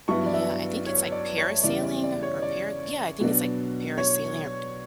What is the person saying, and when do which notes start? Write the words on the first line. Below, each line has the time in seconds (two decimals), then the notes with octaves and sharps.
Yeah, I think it's, like, parasailing or para Yeah, I think it's like parasailing or
0.08 G2 F#3 B3 E4 C#6
0.26 D5
0.34 E5
0.86 C#5
1.12 D5
1.38 C#5
1.63 E2 C#3 G3 C#4 E4 D5
1.84 D5
2.03 D5
2.23 C#5
2.42 D5
3.20 B2 F#3 B3 D4
3.98 C#5